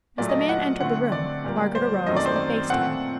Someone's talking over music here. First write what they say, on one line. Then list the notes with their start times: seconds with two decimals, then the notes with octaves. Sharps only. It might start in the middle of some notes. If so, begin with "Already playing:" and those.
As the man entered the room, Margaret arose and faced him.
0.18 A#2 F#3 A3 D5
0.29 D#5
0.39 D#5
0.49 F#5
0.81 D3 A3 C4 F#5
1.12 D5
1.44 A#2 G3 A#3
1.75 C5
2.06 F#2 D#3 F#3 A3 C4 D#5
2.16 D5
2.26 C5
2.36 D5
2.70 A#2 A3 C4 F#5